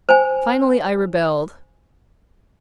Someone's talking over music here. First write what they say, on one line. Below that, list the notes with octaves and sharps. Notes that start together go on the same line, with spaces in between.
Finally I rebelled.
C5 G5 G#5